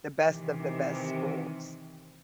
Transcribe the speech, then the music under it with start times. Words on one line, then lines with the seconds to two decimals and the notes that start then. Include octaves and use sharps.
The best of the best schools.
0.19 C3 D#3 E3